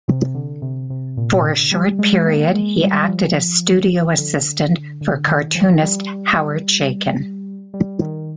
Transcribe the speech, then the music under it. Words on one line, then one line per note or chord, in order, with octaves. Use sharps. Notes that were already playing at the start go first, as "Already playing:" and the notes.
For a short period he acted as studio assistant for cartoonist Howard Chaykin.
C3
D3
C3
C3
A#2
C3
D3
G3
G#3
A#3
G#3
G3
G3
F3
D3
D3
D#3
F3
G3
G3
D#3